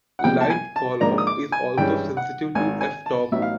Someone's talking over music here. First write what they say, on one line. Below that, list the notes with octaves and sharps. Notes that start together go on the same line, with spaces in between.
Light falloff is also sensitive to f-stop.
F#5
B1 A#2 F3 G#3 G5
A5
G#5
A5
G#2 F3 A#3 D4 A#5
D#6
D6
G#5
G2 E3 G#3 C#4 G5
F#5
G#1 G#2 D#3 G#5
G#5
A5
A1 A2 F#3 B3 D#4 E5
F5